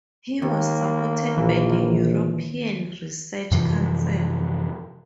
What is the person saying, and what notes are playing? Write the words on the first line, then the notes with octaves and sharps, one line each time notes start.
He was supported by the European Research Council.
D#2 A#3
A#1 E3
F#2 C3 E3 F3